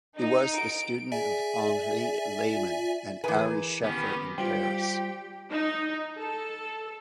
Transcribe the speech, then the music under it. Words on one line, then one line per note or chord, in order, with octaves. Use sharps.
He was the student of Henri Lehmann and Ary Scheffer in Paris.
D#4
D7
G#4 D5 E5 G#5
F4
E3 G#4 A#4 B4 G#5
D#3 B3 C#4 G4
G3 F4 G4 C5 G5
D#4
A4